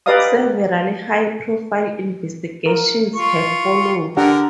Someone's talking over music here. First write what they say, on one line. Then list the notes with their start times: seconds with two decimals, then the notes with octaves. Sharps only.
Several high profile investigations have followed.
0.06 G4 B4 D5 D#5 F5 D#6
2.66 A#4
3.16 F4 C#6
4.17 D3 D4 G4 A#4 F#5